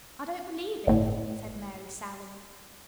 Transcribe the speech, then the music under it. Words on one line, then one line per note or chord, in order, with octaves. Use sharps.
"I don't believe it!" said Mary sourly.
G1 A2